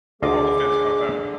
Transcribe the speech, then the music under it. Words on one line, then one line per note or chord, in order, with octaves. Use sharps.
I'm on the fence about that one.
D2 D3 F4 G#4 D#5 D6